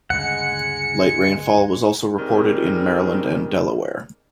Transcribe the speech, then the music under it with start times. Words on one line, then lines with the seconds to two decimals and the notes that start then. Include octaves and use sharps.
Light rainfall was also reported in Maryland and Delaware.
0.10 D2 G2 C#3 G#3 F#5 C#7
2.18 D#3 G3 G#3 C4